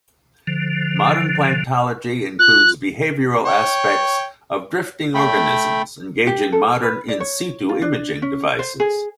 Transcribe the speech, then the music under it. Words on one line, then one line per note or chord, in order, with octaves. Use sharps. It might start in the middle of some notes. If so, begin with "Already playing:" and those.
Modern planktology includes behavioral aspects of drifting organisms, engaging modern "in situ" imaging devices.
D3 F3
F4 F#6
C#5 G5
A3 G5 B5
G4
A4
B4
D5
C#5
F4
D4
C#4
C5
G#4